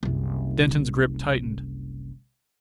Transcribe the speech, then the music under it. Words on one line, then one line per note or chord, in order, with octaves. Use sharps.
Denton's grip tightened.
F#1 C2